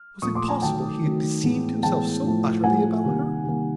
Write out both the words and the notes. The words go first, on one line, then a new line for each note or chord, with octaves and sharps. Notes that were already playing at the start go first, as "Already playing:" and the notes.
Was it possible he had deceived himself so utterly about her?
Already playing: F6
A#2 F3 A3 C#6 D#6
C6 D6
G#5 A#5
D#3 F#3 A3 G5 A5
D#3 F#3 A3
A2 E3 G#3 B3
A2 E3 G#3 B3 G5 A5
A2 F3 A3
A2 F3 A3 F#5 G#5
C3 D#3 G3 A#3
C3 D#3 G3 A#3